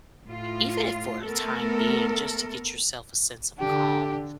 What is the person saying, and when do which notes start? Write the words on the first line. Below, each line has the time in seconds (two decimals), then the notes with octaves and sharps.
Even if for a time being, just to get yourself a sense of calm
0.26 A2 F4
1.24 A3 B3 A4 A#4
3.59 D3 D4 G4